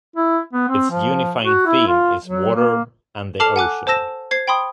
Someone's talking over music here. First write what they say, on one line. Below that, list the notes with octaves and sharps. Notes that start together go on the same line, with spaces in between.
Its unifying theme is water and the ocean.
E4
B3
C4
F3
F#4
E4
F4
F#3
A#3
A4 A5 D6 F6 C7 F7
F#5 G#5 D6 F#6
C5 A5 E6 A#6 E7
C5 G#6 C7
G5 B5 C6 D#6